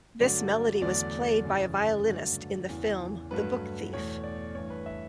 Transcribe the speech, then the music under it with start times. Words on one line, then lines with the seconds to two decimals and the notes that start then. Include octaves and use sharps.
This melody was played by a violinist in the film "The Book Thief".
0.20 G2 D3 F#3 A3 D5
0.82 E2 D3 F#3 A3 D5
1.44 F#2 C#3 E3
2.06 G2 D3 F#3 A3
2.69 E2 C#3 E3
3.31 G2 F#3 A3 B4
3.93 E2 B2 A3 C#5
4.24 D5
4.55 G2 E3 A3 C#5
4.70 B4
4.86 E5